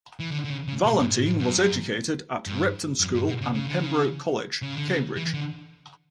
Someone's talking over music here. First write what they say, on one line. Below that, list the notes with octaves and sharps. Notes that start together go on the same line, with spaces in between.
Valentine was educated at Repton School and Pembroke College, Cambridge.
E3
D3
D3
C#3
C#3
B2
G2
A2
A2
F#2
G2
F#2
G2
B2
C#3
C#3
D3
C#3
C#3
D3
C#3
E3
D3